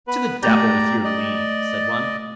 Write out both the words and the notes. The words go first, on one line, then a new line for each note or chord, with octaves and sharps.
'To the devil with your leave', said one.
B3 B4
A3 G4 D5 A#5 G6
D5 D#5